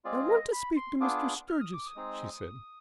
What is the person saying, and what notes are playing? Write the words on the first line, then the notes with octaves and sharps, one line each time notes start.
"I want to speak to Mr. Sturgis," she said.
G#3 C4 F4 G#4 D5
D#5
B5
C6
B3 D4 F4 G#4 D6
F6
D#6
D6
D#6
G#3 C4 D#4 G#4